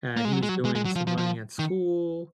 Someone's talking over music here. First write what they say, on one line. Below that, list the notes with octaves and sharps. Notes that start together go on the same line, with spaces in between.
Uh, he was doing some running at school,
A#3
G#3
F#3
G#3
F#3
G#3
G#3
F#3
F3
F3
F3
D#3